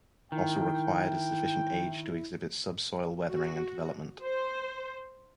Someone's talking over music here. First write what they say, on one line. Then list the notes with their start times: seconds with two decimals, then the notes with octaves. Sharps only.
Also required is sufficient age to exhibit sub-soil weathering and development.
0.32 D#3 E4 G5
3.27 F#4
4.24 C5